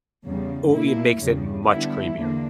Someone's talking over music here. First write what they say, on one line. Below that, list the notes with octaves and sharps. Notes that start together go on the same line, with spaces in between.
ooh it makes it much creamier.
E2 C#3 G3
B2 A#3 E4
E2 C#3 G3
D3 G3 B3 E4
E2 D3 A#3 D4